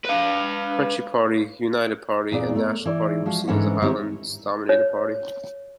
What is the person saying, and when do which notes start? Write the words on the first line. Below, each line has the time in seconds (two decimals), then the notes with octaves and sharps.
Country Party, United Party and National Party were seen as a Highlands dominated Party.
0.05 B4 F5
2.31 E2 A#2 C4 G#4 D5
2.55 A3 A#4
2.85 E3 D5
3.26 F3 G#3 F#4
3.48 G#2 D3 E3 C#4 C5 F#5
3.82 D#3 C4 E4 G4 A#4 C#5
4.69 C#5